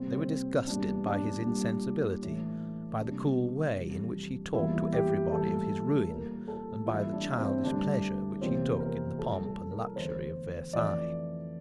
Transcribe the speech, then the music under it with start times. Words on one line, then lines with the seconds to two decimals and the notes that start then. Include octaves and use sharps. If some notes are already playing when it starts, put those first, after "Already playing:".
They were disgusted by his insensibility, by the cool way in which he talked to every body of his ruin, and by the childish pleasure which he took in the pomp and luxury of Versailles.
Already playing: C3 G3 A#3 C4
0.13 C4
0.67 E2 E3 G3 A#3 D4
1.06 D4
1.45 A#2 G3 A#3
2.22 A2 E3 A3
3.00 C3 G3 A#3 D4
3.77 F2 E3 G3
4.54 E2 E3 G3 A#3 E4
4.93 G4
5.32 A2 E3 G3 A#3 A4
6.09 A#2 G3 A#3 A#4
6.48 A4
6.86 A2 E3 G3 A#3 E4
7.12 D4
7.39 C4
7.64 G2 D3 A3 D4
8.41 E2 C3 F3 A#3 C4
8.80 A#4
9.19 G2 F3 A3 A4
9.45 A4
9.71 A#4
9.96 E2 D3 A3 C5
10.73 F2 E3 A3 D5